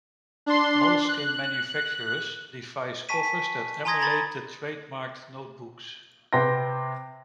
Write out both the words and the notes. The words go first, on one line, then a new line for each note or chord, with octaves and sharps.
Moleskine manufactures device covers that emulate the trademarked notebooks.
D4 C6
F#6
G#5 A5 C#6 B6 D#7
B6
G#5 A#5 C6 D#6 G#6 A#6
A#5 B5 A6
C3 B4 G5 C6 A#6